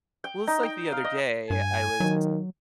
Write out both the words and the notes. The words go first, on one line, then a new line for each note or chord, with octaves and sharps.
Well, it's like the other day, I was
G5
D#4
G5
F5
D#5
G2 G#5
D#3 F#3